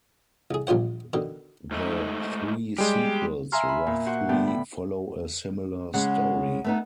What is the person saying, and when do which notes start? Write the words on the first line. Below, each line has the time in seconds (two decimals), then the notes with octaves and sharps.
The three sequels roughly follow a similar story.
0.51 C2 G#4
0.67 A#1 G3 F4 C5 F#5
1.13 B2 D3 D#3
1.71 G#2 A3 D#4
2.78 G3 G#3 G4
3.52 E5 F5 G#5 A#5 C6 F6
3.69 B5
3.87 A#2
4.06 F#4 C5 F#5
4.29 A2 D3 B3 G5
4.47 B5
5.94 C#3 G#3 G#4 F#5
6.64 A3 B3 D#4